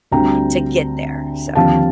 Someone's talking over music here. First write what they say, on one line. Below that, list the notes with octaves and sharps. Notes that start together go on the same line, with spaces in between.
to get there, so
D2 D3 G3 C4 G5 A#5
D#2 D3 F3 C4 F5 A5